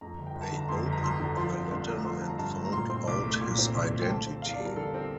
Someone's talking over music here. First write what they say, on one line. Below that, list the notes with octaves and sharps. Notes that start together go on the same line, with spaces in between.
They opened the letter and found out his identity.
F2 A#5
G1
G5
G1
A5
D3 A#5
F2 C6
G1
A#5
G1 C6
D3
F3 C6
C4
G2 C6
A3 A#5
F3 C6
A#5
C4 A5
A#5
G2 A5
A3
A#5
A#2 C6
C4 C6
C2 D6
A3
A#2
C4
C2 C6
A3
G5
D3 A5
C4
E2 F5
D5
G3
A#4
D3 A4
C4